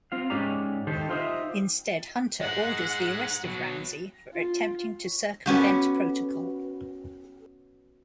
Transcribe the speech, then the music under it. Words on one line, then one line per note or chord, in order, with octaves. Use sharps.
Instead Hunter orders the arrest of Ramsey for attempting to circumvent protocol.
C4 F4 F5
G#2 G#3 C#4 G4 D5 A#5
D#3 G4 A4 C5
D#4 F4 G4 C5 D#5 E5
G#3 D#4 F#5
B2 F#3
F4
B3 C#4 F#4 G4